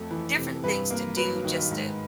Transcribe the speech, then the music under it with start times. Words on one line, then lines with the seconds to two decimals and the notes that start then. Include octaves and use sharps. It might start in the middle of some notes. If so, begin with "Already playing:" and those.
different things to do just to
Already playing: F2 A3
0.11 E3
0.37 C3
0.64 G2 B4
0.90 A#3
1.17 F#3 B4
1.45 D#3
1.71 G#2